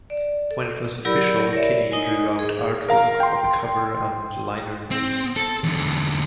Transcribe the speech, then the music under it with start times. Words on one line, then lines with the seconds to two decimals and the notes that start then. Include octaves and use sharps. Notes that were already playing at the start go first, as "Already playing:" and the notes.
When it was official, Kinney drew out artwork for the cover and liner notes.
0.10 D5
0.51 A4
1.05 F#3 E4 G4 A#4 D5 B5
1.53 A#4 C#5 D5 E5
1.91 D#4 D#5 G#5
2.39 G#4
2.88 A#4 F5 A#5
3.20 G5 C6
4.91 C4
5.36 A4
5.64 E2 D3